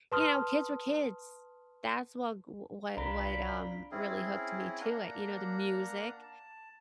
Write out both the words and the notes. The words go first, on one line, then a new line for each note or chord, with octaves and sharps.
you know, kids were kids. That's wha g what what, um, really hooked me to it, you know, the music,
B4 A5 C6 D#6 F6
C2 D4 F4 A#5 B5
C4 C#4 E4 G#4
A#3 D4 F#5 A#5
A5